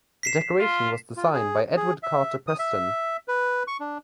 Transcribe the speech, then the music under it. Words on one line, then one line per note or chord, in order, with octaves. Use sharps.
The decoration was designed by Edward Carter Preston.
B6 C7 E7
F4
F4
G#4
G#4
E5
D#6
E5
B4
C#6
D4